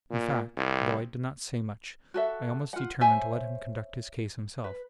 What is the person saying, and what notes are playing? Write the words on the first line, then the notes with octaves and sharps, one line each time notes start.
In fact, though I did not say much, I almost determined to let him conduct his case himself.
A#2
C2
F#4 A4 E5
F4 F#5
C5 C#5 E5 G#5
B4